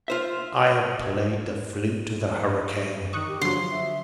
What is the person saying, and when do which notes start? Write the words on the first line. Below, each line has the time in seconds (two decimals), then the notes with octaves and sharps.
I have played the flute to the hurricane.
0.08 F4 C5 E5
3.13 D#3 C#6 D#6 F#6
3.28 G4
3.41 D3 F3 F#3 C6
3.71 E5